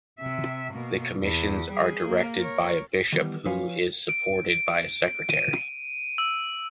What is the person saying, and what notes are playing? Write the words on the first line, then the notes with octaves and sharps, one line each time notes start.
The commissions are directed by a bishop, who is supported by a secretary.
C3 E5
B2 A#3
E2 B4
G3 G#4
A#3
A#4 C#5
D#3 E3 G3 B3
F3 F4 B4 C#5 F5 G#5
D7
D7
D#7
E6